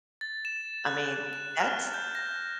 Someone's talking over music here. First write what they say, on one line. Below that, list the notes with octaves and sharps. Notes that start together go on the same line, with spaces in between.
I mean, that's
A6
E7
F#6
E7
F6
G6
A#6